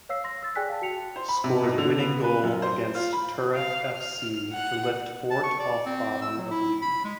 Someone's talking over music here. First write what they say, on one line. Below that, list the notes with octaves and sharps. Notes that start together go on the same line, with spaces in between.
Scored winning goal against Turriff fc to lift Fort off bottom of league.
C#5 F5 E6 C7
C6 A#6
E6 A6
G#4 D5 G5 G#5 F#6 B6
F5 A5
F#4 G5 C#7 F7
C5
B5
C3
B2
D3
B3
B4
F#2
C5
F4
B5
F5
F6
F#5
A5
C#6
D5
C4
E6
F#3
E4
B5
G#3